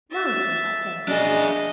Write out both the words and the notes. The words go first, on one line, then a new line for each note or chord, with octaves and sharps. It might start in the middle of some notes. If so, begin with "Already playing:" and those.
"Nonsense!" I said bruskly.
E5 A6
D4 G#4 D#5